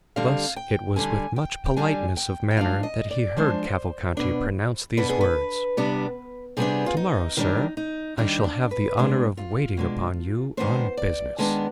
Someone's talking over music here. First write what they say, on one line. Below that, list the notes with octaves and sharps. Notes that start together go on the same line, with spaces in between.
Thus it was with much politeness of manner that he heard Cavalcanti pronounce these words, "To-morrow, sir, I shall have the honor of waiting upon you on business."
D3 G3 C4 F5
G5
D3 G3 D4 G#5
G5
G5
D3 G3 D4 G#5
G5
G5
F3 G#3 D4 F5
D#5
D5
F3 G#3 D4 C5
B2 B3 D4
B2 B3 D4 B4
G#4
B4
C3 G3 B3 D4
C3 G3 B3 D4 G#4
F4
D#4
D#3 G3 D4 D#4
D#4
D#3 G3 D4 D#4
D4
B4
B2 G#3 D4
F4
B2 G#3 D4
D#3 G#3 B3 D4 C5
D5
D#3 G#3 B3 D4